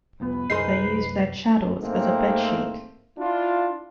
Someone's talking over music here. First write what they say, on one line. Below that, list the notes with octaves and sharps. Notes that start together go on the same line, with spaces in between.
They use their chadors as a bed sheet.
C2 F2 B3 B4
C2 F#2 D#4 G#4 A#4 C5 C7
G#2 A3 A#3 C4
D4 E4 F4